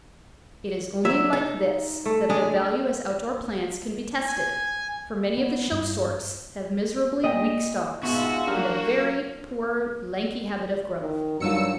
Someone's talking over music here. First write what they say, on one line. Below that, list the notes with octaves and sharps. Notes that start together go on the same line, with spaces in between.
It is only like this that their value as outdoor plants can be tested; for many of the show sorts have miserably weak stalks, and a very poor, lanky habit of growth.
F#3 E5
D#4
A3
G#3 D4 G#4
G#5
B3
G2
A#2 D#5 G5
G#2 B2 F4 F#4 E5
F#3 A#3 D4 G4 F6
D#3
G2 D#3 F#3 D4 F4 E6 C#7